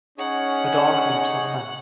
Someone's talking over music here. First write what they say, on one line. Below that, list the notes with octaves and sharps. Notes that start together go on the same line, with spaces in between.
A dog leaps on a man.
C#4 D#4 G#4 C#5 F#5